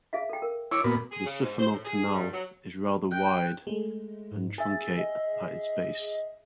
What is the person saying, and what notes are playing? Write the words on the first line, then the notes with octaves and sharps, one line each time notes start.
The siphonal canal is rather wide and truncate at its base.
G#4 E5 F5
A4 G5
A#4
E4 C#5 C#6 D6
A#2 B3 F#4
G#4
C#3
G#2
C5
A2
G#4
G2
F#3
G5 F#6
G#3 A3
G#2
G#4 E5 A6
D#5